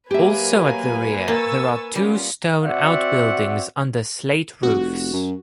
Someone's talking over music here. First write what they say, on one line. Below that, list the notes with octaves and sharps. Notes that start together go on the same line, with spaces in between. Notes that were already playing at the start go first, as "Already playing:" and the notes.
Also at the rear there are two stone outbuildings under slate roofs.
F#3 A#3 G4 B4 E5 G#5
A#3 C#6 E6 A6
G3 B3 C#4 F4
C4 F#4 D5 E5 F#5
F1 F#4
F#2